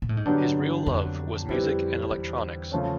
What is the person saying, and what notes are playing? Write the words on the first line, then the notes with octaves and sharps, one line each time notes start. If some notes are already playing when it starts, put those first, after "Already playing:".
His real love was music and electronics.
A#2
A2
G#2
G2 D3 F#3 B3 D4 G4
F2
F2 G3 C4 E4 G4 B4
E2
C#3 F3 A3 C#4